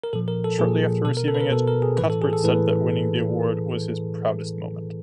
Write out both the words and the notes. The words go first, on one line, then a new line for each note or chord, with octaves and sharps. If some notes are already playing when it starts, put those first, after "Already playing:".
Shortly after receiving it, Cuthbert said that winning the award was his proudest moment.
A#4
A#2 F3 A4
A#4
A4
A#2 F3 G#4
B2 A4
A#4
A4
B4
A#4
B2 A4
A#4
G#4
A2 E3 B4
A4
G#4
A4
A2 E3 B4